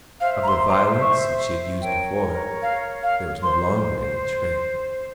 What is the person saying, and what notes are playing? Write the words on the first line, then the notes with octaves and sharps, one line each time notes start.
Of the violence which she had used before there was no longer any trace.
C5 E5 F5
A#5
C6
A#5
C6
C#6
A#4 C#5 G5
F5
F5
C5 C6